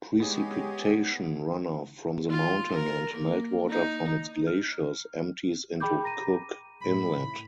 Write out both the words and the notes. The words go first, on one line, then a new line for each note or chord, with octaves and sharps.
Precipitation runoff from the mountain and meltwater from its glaciers empties into Cook Inlet.
G#3 B3 G4 G#4 C#5 D#5
F4
A#4
A#3
D#4
F6
G#4 G5 B5 D6 G6
A#5 A#6 D#7
A2 B5